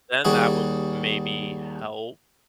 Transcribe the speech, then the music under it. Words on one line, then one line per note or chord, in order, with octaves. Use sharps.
then that would maybe help
D#2 G3 F#4 G#4